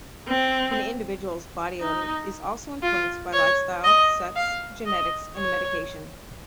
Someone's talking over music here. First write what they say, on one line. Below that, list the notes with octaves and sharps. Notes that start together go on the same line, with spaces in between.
An individual's body odor is also influenced by lifestyle, sex, genetics, and medication.
C4
D#4
F4
C#5
D#5
F5
D#5
C#5